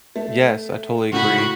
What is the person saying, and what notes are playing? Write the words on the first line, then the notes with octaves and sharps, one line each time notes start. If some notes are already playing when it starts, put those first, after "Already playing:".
Yes, I totally agree.
A3
A2 C#3 F#4 B5